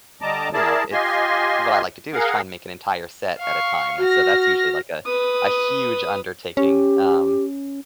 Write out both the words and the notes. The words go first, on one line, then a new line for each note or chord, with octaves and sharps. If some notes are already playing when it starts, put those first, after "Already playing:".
you know, it's What I like to do is try and make an entire set at a time, and so that's usually like a a huge undertaking, um
D3 G3 D#5 A5 A#5 D6
E4 G#4 A#4 D5 A5
F4 G4 D#5 G#5 C6
G#4 A#4 F5 F#5
F5 C#6
F#4 F6 A#6
B4 D#6
C#4 G4